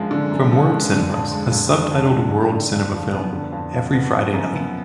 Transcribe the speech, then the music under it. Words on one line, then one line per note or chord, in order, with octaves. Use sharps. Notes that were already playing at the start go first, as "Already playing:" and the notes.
From World Cinemas - A subtitled world cinema film every Friday night.
Already playing: F#2 D3 F3 G#3
D3
F#2
F3
G#3
D3
F2
G#3
F2
D3
F2
G#3
F2
D3
F2
F3
B3
D3
F2
F3
B3
F3
F#2
B3